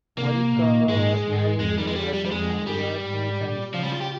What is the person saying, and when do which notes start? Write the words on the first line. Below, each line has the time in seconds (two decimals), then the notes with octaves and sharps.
Morikawa was married to Hazel and had two sons.
0.17 C3 A#3
0.54 A#2
0.89 G#2 G#3
1.24 G#2
1.60 F2 G#3
1.78 G3
1.87 G#3
1.95 G3
2.13 G3
2.25 G3
2.31 F2 G#3
2.67 G2 G3
3.03 G#2
3.38 A#2
3.74 C#3 F3
3.83 G3
3.92 F4
4.01 G4